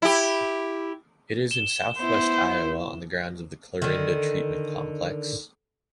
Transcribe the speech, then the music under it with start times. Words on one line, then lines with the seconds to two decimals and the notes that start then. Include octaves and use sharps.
It is in southwest Iowa on the grounds of the Clarinda Treatment Complex.
0.02 E4 G4
1.51 E7 G7
1.99 B3 E4 C5
3.82 D3 D#3